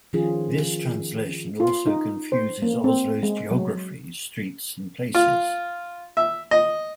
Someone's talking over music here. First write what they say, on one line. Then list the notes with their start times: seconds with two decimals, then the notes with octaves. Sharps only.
This translation also confuses Oslo's geography-streets and places.
0.13 D#3 F3 C#4 F4 G#4
1.60 F4
1.86 D#4
2.32 C5
2.62 A#3
2.84 C4
3.23 G#3
3.51 F#3
5.14 F4
6.17 E5
6.51 D#5